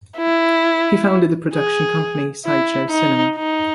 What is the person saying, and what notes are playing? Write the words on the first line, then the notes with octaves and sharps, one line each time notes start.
He founded the production company Sideshow Cinema.
E4
G#4
E4
D#4
D#4